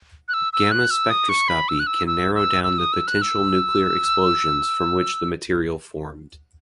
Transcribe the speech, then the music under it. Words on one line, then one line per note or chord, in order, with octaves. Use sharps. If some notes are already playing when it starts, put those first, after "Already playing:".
Gamma spectroscopy can narrow down the potential nuclear explosions from which the material formed.
F#6
E6
E6
F#6
E6
D#6
C#6
B5
E6
F#6
E6
E6
E6
E6
D#6
E6
F#6
E6